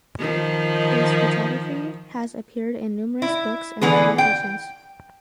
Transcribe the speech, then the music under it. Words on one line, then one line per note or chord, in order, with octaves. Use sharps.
His photography has appeared in numerous books and publications.
D#3 F3
E4
D3 E3 B3 G#4
G5